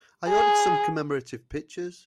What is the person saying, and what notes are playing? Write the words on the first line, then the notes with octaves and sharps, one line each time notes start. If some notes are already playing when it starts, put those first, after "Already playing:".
I ordered some commemorative pictures.
G#4